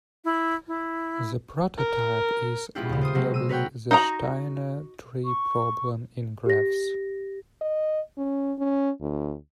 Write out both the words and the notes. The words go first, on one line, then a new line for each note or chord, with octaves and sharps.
The prototype is, arguably, the Steiner tree problem in graphs.
E4
E4
A#4
G#3 B3 C#4 E4 F4 G4
D#2 C#3
F4 C5 D#6
C3 F#3 G#3 A#3
E6 D#7
A#4 B4 C#5 F#5 G5
D#4 F#4 F#5 A#5
C#6
G4 A#6
D#5
C#4
C#4
D2